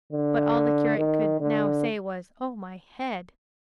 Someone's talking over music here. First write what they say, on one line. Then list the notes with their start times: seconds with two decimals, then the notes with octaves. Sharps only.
But all the curate could now say was, 'Oh, my head!'
0.12 D3
0.98 D#3
1.40 D3